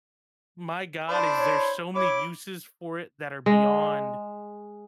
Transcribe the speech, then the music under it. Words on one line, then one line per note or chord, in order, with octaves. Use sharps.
my god, is there's so many uses for it that are beyond,
D4 E4 C5 D5
C#5
E4 C#5 D6
G#3